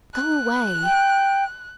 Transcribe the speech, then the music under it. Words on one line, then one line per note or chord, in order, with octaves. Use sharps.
Go away!
F#6
G5